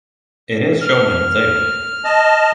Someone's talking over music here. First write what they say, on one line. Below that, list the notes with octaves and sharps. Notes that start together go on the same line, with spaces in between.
It is shown in the table.
F6
D#5 A5